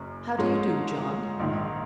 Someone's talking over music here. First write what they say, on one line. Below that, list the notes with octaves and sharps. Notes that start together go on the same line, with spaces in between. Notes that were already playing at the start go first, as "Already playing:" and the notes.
"How do you do, John?"
Already playing: F#1 F#2
G#2 F3 G#3 C#4
A#1 G#2 D#3